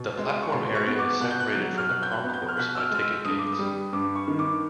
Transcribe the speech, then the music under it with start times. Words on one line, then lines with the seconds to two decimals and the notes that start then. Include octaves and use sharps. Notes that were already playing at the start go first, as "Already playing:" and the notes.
The platform area is separated from the concourse by ticket gates.
Already playing: B2
0.18 G#3
0.42 C#6
0.52 B2 C6
0.75 C#6
0.86 B3
0.99 D6
1.21 B2 F#6
1.31 G6
1.40 F#6
1.55 F#3
1.78 F6
1.89 B2 F#6
2.03 G6
2.11 F#6
2.24 B3
2.34 G6
2.48 F6
2.57 B2 F#6
2.75 E6
2.80 F6
2.91 G#3 F6
3.02 E6
3.25 G2 D#6
3.39 D6
3.52 D#6
3.59 G3
3.93 G2 D6
4.15 C#6
4.28 D#3
4.39 D6